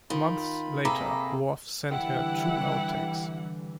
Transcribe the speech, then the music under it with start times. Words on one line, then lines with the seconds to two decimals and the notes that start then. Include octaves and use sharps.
Months later, Whorf sent her two outtakes.
0.10 D#3 F4 B5
0.85 C3 A#3 G#4 A4 A#5 B5 D6
1.91 D3 E3 G3 E4 F#5 G5